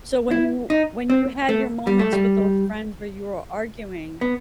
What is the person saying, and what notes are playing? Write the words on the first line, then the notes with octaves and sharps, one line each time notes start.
So when you when you had your moments with those friends where you were arguing,
E4
D#4
C4
A3
G3
A3
G3
B3